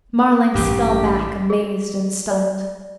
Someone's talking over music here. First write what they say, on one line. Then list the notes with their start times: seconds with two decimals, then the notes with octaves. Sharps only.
Marlanx fell back amazed and stunned.
0.55 A1 G2 G4
1.50 G#4
2.31 D5